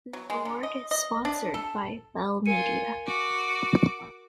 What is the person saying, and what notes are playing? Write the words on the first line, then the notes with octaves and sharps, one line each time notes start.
The award is sponsored by Bell Media.
F#3
G#3
D3
D#5
D#5
D4
A4
F4 A#4 G#5 C#7 D#7
F#4 D6